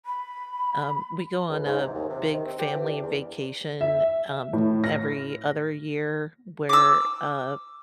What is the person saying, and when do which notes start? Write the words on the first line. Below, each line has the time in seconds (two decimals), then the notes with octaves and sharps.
um we go on a big family vacation, um, every other year where, uh,
0.06 B5
1.49 C#2
1.66 G#2
1.81 C3
1.94 D#2
2.09 C3
2.33 D#3
2.45 C4
2.59 G4
2.74 E3
2.89 D4
3.03 E2
3.81 E5
4.53 A2
4.84 A#6
6.69 D6 E6